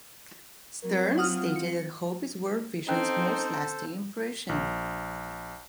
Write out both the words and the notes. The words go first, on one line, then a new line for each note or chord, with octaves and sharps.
Stearns stated that "hope" is World Vision's most lasting impression.
F#3 C4 A#4
F4 F#5 D#6 F6
C#7
C4 C#4 D#4 A4 C5
A#1